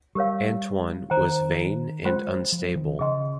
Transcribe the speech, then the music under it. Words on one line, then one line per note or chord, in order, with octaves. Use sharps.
Antoine was vain and unstable.
G3 G4 A#4 C#5 F5
D#3 C5 G5 A#5
G#3 F4 C5 G5 C6
F3
D#3
C#3 G#4 D#5 G5 C6